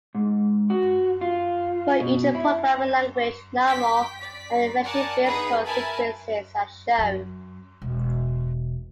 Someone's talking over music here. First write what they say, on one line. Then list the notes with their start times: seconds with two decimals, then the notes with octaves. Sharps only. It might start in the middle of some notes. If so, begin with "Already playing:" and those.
For each programming language, normal and reflection-based call sequences are shown.
0.15 G#2
0.70 F#4
1.21 F4
2.00 B2
2.35 E4
3.67 G5 B6
4.17 D5 B6
4.83 A#4 D5 F#5 G#5 A5
5.25 B3 D#4 G#4 B4 D#6
5.65 A#4 E5 G#5 A5 B5
6.98 F#2
7.82 E1